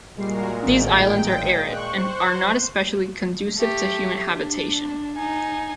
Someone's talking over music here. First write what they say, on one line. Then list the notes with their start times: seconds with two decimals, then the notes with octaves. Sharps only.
These islands are arid, and are not especially conducive to human habitation.
0.18 A#2 G3 G#3 F#4 A#4 C7
0.65 A1 D#3 G5
1.73 C5 C#6 F#6
3.57 A3 G4
4.33 D4
5.16 D#4 G#5